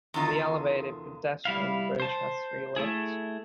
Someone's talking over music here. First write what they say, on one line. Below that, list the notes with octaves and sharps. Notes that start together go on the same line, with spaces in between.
The elevated pedestrian bridge has three lifts.
E2 D3 D#3 F4
G3 E4 F5
C5 A5
A3 E4 G#4